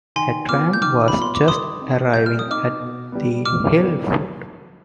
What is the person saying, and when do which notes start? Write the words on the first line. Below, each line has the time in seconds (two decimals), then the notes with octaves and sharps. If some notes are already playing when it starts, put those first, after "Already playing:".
A tram was just arriving at the hill foot.
0.16 D#3 G#5 C6
0.49 B3 F4 D6 F6
0.73 G6
0.81 D#3 D6 F6
1.08 B5
1.15 B3 F4
1.22 C6
1.35 D6
1.48 G3 C6 D#6
1.81 C4 D#4
2.14 G3 G6
2.26 F6
2.39 D#6
2.46 C4 D#4 D6 F6
2.80 B2
3.12 G3 B3
3.45 B2 D6 F6
3.78 G3 B3